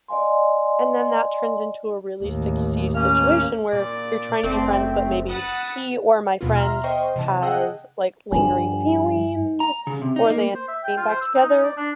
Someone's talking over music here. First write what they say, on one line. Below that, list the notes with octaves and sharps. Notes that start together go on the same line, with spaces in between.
and then that turns into a really sticky situation, where you're trying to be friends, but maybe he or my friend has, like, lingering feelings or they end up getting back together.
D5 D#5 F5 G#5 C6
A1 D#2
A#3 C#4 F6
A#2 D5
F#1 A3 C4
B4 F#5 D#6 A6 E7
D#2 B2 F#3 B3 F4
E5 A#5 C6 F6
C5 D#5 G5 C6 C#6
C3 E3 A5
G#4 D#5 F#5 G5 E6 F#6
G2 D3 F3 G3 B4 G#5
A#5
C#3
C3
D#4
A#3
C5
E5
G5
F4
C5
E6
D#4
D#4
D5
D4